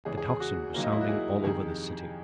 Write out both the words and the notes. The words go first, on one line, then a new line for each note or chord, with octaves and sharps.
The tocsin was sounding all over the city.
E2 C#3 E3 G#3 G#4
G#4
G#4
F#4
D#2 D#3 F#3 A#3 F4
D#4
E4
F#4
G#4
F2 C3 D#3 G#4